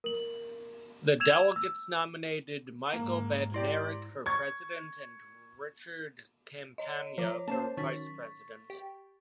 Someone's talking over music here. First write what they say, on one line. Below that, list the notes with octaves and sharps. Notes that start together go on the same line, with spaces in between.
The delegates nominated Michael Badnarik for president and Richard Campagna for vice president.
A#4 F#7
E6 G#6 E7 F7
E6
G#2 A#3 A#5
E4 G4 D5 C6 A#6
C#6 G#6
C#5 D#5
F3 C#5 A#5 D6
A#3 C#4 C5 A5
D#3 F#3 C#4 C#6 A6 B6
G4